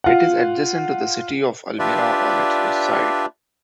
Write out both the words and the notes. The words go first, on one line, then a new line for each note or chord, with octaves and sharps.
It is adjacent to the city of Elmira on its west side.
F4 F#5
D4 F4 G4 B4 D5 E5